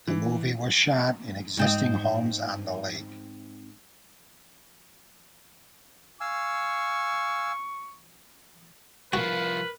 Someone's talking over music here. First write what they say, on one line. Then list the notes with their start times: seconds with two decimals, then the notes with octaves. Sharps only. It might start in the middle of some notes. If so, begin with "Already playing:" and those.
The movie was shot in existing homes on the lake.
0.08 E3
1.57 G#2 C4 D#5
6.21 F5 G#5 C#6 E6
9.13 C2 F3 F#4 A#4 B4